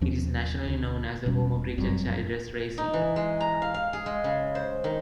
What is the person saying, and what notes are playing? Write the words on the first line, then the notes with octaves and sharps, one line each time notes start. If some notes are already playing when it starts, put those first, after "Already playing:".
It is nationally known as the home of Richard Childress Racing.
D#2 F3 C#4
D2
E1 B2 G3 C#4
G1 F#2 G3 C4
D#4
E3
G#3
A#5
F5
F5
G#4
G#3
C#3
C5
D#3